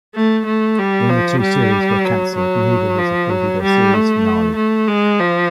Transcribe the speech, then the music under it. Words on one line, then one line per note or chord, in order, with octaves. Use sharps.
When the two series were canceled, neither was afforded a series finale.
A3
A3
G3
F3
G3
F#3
F#3
F3
F#3
G3
A3
A3
G#3
F3